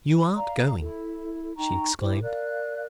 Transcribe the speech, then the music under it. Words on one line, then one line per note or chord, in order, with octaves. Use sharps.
"You aren't going?" she exclaimed.
D5 F5 A#5
E4 A4
D#4 G5 A#5 C#6
E4 G4 C5
A#4 D5 F5 F#6